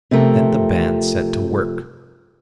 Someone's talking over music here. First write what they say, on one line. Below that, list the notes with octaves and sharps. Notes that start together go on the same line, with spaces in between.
Then the band set to work.
C3 F3 A3 A#4